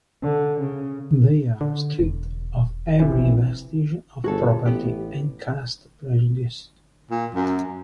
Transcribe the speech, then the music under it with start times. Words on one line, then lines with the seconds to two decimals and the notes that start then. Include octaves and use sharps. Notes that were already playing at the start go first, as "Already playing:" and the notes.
They are stripped of every vestige of property and caste prejudice.
0.22 D3
0.60 C#3
1.61 D3
1.99 E1
3.00 A#1 C3 E3
4.24 G1 F#4 G#4 A4
4.66 A1 B3 G4
7.11 A#2
7.35 F#2